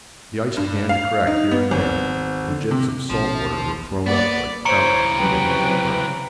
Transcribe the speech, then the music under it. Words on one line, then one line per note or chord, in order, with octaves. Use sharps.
The ice began to crack here and there, and jets of salt water were thrown up, like fountains in an English park.
G2
F5
D#4
B3
G#1
D3
C3
A#1 B2 F3 C#4
A#3 B3 D5 F#5
C#3 E3 C5 C#5 A#5 C#7 D7
C3 F#3 C#4 B4 G5